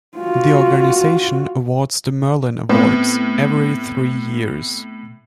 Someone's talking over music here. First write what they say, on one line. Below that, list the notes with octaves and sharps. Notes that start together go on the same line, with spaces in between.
The organization awards the Merlin Awards, every three years.
F4 F#4
A2 B3 C4